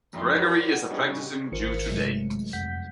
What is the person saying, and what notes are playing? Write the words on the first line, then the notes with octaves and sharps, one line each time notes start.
Gregory is a practicing Jew today.
G#1 F2 E4 D5 C6
F#4 G4 A#4 B4 C#5
D5
F#5
G3 C#4 D#4 G4 G#4
C#3
G#1 D#3 F4 A#4 C5 C#7
G2 C3 F#3 G#3 A3
F2 F#5 G6 B6